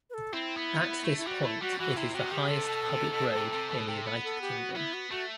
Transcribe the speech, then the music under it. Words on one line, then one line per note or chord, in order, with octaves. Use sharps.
At this point it is the highest public road in the United Kingdom.
B4
A4
C4 E4
B3
B3
A3
E4
G3 F#4
A3 E4
G3 F#4
F#3
E3 F#4
C3 E4
C3 F#4
D#3 G4
C3 A4
B2
C3
B2
C3
C3
B2
C3
B3
A4
G4
F#4
B3 E4
F#4
A3 F#4